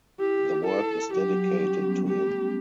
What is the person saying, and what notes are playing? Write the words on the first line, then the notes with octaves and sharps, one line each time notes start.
The work is dedicated to him.
E4 G4
A4
F#3 G4
F#3
G3
C#4
B3
G3
A3 G4
B3
C#4